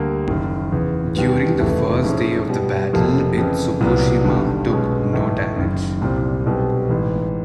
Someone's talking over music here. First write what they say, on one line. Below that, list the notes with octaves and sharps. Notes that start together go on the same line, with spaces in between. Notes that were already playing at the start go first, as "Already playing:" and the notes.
During the first day of the battle, "Itsukushima" took no damage.
Already playing: D2 D3 G3 A#3
F#1 F#2 D#3
E2 C#3 E3
D#2 D#3 G3 B3
F1 E2 C#3 E3 A3
G#2 F3 G#3 C#4 E4
B2 G3 B3
F1 F2 C3 F3 A#3
F2 C#3 E3
C2 A#2 F#3 B3
G1 G2 D#3
B1 B2 G#3 C#4
B1 A2 E3 A3
F#1 F#2 D#3
C2 A#2 G3 C4
B1 B2 G3 C4
A1 G#2 E3